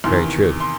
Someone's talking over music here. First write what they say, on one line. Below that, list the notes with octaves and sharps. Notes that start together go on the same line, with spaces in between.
Very true.
E2 C3 D#3 C6
C6